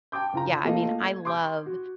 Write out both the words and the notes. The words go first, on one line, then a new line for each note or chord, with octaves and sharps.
yeah, I mean, I love
G5 A5 D6 G6
F#1 F4 A#5
A3 A#3 F4 A4 D#5 F5
G#6
C6 D6 G6
F#4